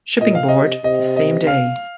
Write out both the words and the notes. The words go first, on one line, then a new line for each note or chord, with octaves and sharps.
Shipping Board the same day.
A#2 D#5
F5
C3 D#5
C3 D#5
D#5
F5